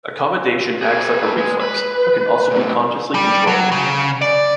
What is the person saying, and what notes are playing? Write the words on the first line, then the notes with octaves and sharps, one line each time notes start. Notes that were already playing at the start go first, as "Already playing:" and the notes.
Accommodation acts like a reflex, but can also be consciously controlled.
G#4 A#4
G4 B4
G#3
B4
A2 G#3
G3
F#3
C#3
D5